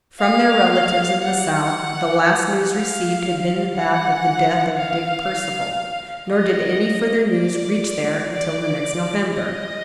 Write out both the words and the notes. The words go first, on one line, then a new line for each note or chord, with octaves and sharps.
From their relatives in the South the last news received had been that of the death of Dick Percival, nor did any further news reach there until the next November.
F5
F#5
F5
F#5
F5
D#5
D5
D5
D#5